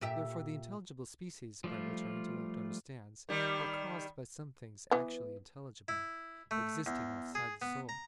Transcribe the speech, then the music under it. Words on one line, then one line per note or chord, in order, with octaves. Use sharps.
Therefore the intelligible species, by which our intellect understands, are caused by some things actually intelligible, existing outside the soul.
A#2 G4 E5
F3 G3 A3 F4
D#3 G3
E3 B3
E4
A3
E2
G#4
B3
A#5